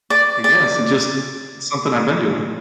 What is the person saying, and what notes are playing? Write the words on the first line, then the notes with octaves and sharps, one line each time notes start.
I guess it's just, it's something I've been doing.
D5
D5